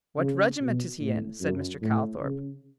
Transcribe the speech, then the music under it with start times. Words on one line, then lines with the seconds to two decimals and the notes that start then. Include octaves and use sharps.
"What regiment is he in?" said Mr. Calthorp.
0.18 C#3
0.60 B2
1.00 A2
1.41 F#2
1.81 A2
2.21 C#3